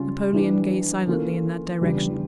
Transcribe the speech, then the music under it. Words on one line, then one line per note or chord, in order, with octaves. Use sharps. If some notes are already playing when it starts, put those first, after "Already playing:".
Napoleon gazed silently in that direction.
Already playing: C#3 G3 C#4 F4
E3 G3 D4
E3 A#3 C#4 F4 A4
E2 C#3 G3 D4 F4